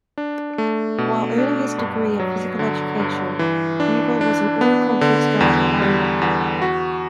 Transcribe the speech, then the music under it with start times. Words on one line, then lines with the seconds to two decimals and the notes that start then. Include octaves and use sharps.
While earning his degree in physical education, Bugel was an all-conference guard and linebacker.
0.18 D4
0.58 A3
0.98 B2
1.38 D4
1.78 G2
2.20 F#3
2.59 D3
3.00 G2
3.39 E3
3.80 D4
4.21 D4
4.61 B3
5.01 D3
5.41 E2
5.82 G3
6.22 E2
6.62 F#4